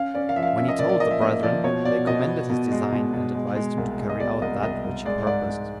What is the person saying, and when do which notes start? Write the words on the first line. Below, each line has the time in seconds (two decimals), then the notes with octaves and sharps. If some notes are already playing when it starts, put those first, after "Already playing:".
When he told the brethren, they commended his design, and advised him to carry out that which he purposed.
Already playing: C#4 F5
0.15 C#4 D5
0.29 F5
0.36 F3 E5
0.43 F5
0.47 E5
0.58 C#4 E5
0.68 D#5
0.79 A#2 D5
0.89 D5
1.00 F3 D#5
1.11 E5
1.21 A#3 D#5
1.43 F3 D5
1.64 B2 C#5
1.85 B2 D5
2.07 B2 D#5
2.28 B3
2.50 B2
2.71 G#3
2.92 B2
3.13 B2
3.35 G#3
3.56 G#3
3.78 C2
3.99 G#3
4.09 D#5
4.20 B2 D5
4.42 C2 D#5
4.63 C2 D#5
4.84 C2
5.05 G#3 D5
5.27 G#2 D5
5.49 G#3